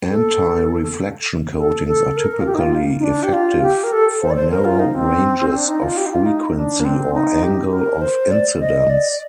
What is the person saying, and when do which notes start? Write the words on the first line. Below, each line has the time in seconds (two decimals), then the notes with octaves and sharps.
Antireflection coatings are typically effective for narrow ranges of frequency or angle of incidence.
0.11 A4
1.58 A4
1.88 A4
2.17 A#4
2.31 A#4
2.41 F4
2.46 G4
2.55 D#4
2.60 F4
2.99 D#4
3.04 D4
3.23 G4
3.33 F4
3.62 G4
3.84 A#4
3.92 A4
4.22 C5
4.30 D5
4.36 C5
4.51 A#4
4.65 F4
4.79 D#4
4.94 C4
5.55 D4
5.68 D#4
5.83 F4
5.97 G4
6.06 D#4
6.12 F4
6.26 D#4
6.56 D4
6.80 A#3
6.85 C4
7.14 D#4
7.43 G4
7.73 A#4
8.01 C5
8.31 D5
8.60 D#5
8.90 D5